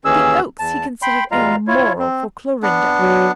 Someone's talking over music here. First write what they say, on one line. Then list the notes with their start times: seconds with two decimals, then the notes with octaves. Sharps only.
The Oaks he considered 'a moral' for Clorinda.
0.05 D#2 E3 C#4 G#4 E6
0.59 E2 A5
1.02 G5 B5 C6
1.31 E2 G3 G#3 F4 F5 A#5
1.67 E4 F4 C#5
1.99 C4
2.63 B3 D4
3.00 F#3